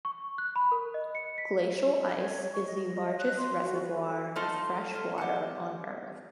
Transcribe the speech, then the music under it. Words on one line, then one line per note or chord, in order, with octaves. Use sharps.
Glacial ice is the largest reservoir of fresh water on Earth.
C#6
F#6
B5
A#4
D#5
C#7
B6
C#5
C#5
C#6
D#5
F#6
C6
F#4
B4
A4
A3 D#4 F4 A4 C5
F4
G4 F#5